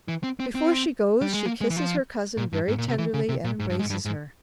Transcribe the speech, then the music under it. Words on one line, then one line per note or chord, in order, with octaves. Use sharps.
Before she goes, she kisses her cousin very tenderly and embraces her.
E3
C4
C4
C4
G3
G#3
A#3
G#3
E3
F3
A#2
G2
G#2
A#2
C3
E3
C#3
C3
A#2
G#2
G2
G#2
G2
G#2